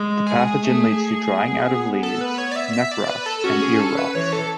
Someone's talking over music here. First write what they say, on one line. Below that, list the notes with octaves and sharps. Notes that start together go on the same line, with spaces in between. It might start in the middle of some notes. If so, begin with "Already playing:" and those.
The pathogen leads to drying out of leaves, neck rots and ear rots.
Already playing: G#3
G#4
A3
B3
A4
B4
C#5
D5
E5
E5
D5
B4
A4
C#4 F#4
G#4
A4
B4
E3 C#5
A4